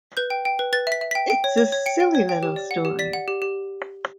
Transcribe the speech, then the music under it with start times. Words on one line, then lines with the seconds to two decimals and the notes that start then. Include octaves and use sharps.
It's a silly little story.
0.17 B4 G6
0.30 G5
0.45 G5
0.59 B4
0.73 B4 A6
0.87 E5 B6
1.01 E5
1.11 G5 B6
1.30 G5
1.44 C#5
1.58 C#5
1.72 C#5
1.86 G5 C#7
2.00 G5
2.15 C#5
2.29 G5
2.43 G4
2.56 D5
2.71 F#5
2.85 G4
2.99 D5 B6
3.13 F#5
3.28 G4
3.42 G4